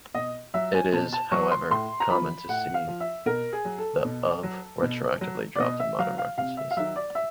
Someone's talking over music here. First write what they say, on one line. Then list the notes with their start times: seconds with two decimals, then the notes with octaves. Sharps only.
It is, however, common to see the "of" retroactively dropped in modern references.
0.14 B2 D#5
0.54 F#3 E5
0.74 G#5
0.93 B2 A5
1.13 A5
1.31 F#3 C#6
1.52 C6
1.70 A2 C6
2.00 A#5
2.10 F3 B5
2.49 A2 F#5
2.74 F5
2.87 F3
3.00 E5
3.26 B2 A#4
3.53 G#4
3.65 F#3
3.78 A4
4.05 B2
4.43 F#3
4.82 B2
5.21 F#3
5.55 D5
5.59 B2 D#5
5.80 E5
5.99 F#3 F5
6.18 F5
6.38 C3 F5
6.57 E5
6.71 F5
6.77 D#3 F#3 E5
6.96 D5
7.15 E5